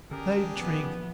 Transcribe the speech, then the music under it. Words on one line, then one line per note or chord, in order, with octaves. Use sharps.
They drink!
D3 C#4 D4 G4 G#4 A#4
A#1 E3 F3 B3